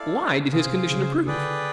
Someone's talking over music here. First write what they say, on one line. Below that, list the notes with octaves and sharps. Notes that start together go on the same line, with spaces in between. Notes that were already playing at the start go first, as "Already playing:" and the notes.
Why did his condition improve?
Already playing: E4 A4 D5 F5
C3 G#4 C5 F5
C#3
D3 G#4 B4 D5 G5